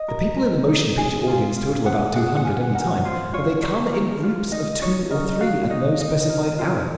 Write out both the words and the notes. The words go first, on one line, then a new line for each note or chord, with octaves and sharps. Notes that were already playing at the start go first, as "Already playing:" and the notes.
The people in the motion picture audience total about two hundred, any time, but they come in groups of two or three at no specified hour.
Already playing: D#5
A#4
A#4
D#4
G#4
F4
F4
G#4 F#5
G#4 F#5
F#5
F4 G#5
A#4 F#5
F4 C5
F4 C#5
A#4 C#5
A#4
F4
D#4 D#5
D#4 C#5
A#4 D#5
F#4 F5
D#4 D#5
D#4 D#5
A#4
F4